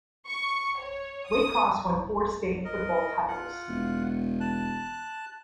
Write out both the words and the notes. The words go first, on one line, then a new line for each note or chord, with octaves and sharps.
Waycross won four state football titles.
C#6
C#5
D#6
A#4 D#5
F4 F#5
E1
A5 F#6